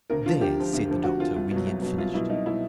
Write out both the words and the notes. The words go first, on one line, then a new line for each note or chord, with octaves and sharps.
"There!" said the doctor when he had finished.
D2 A#4
D3 F3 F4
D2 G4
D3 F3
D2
D3 F3
D2 F#4
D3 F3 F4
C2
B2
F#3
C2
B2 F#3
C2 F4
B2 F#3 E4
C2 D#4
B2 F#3 E4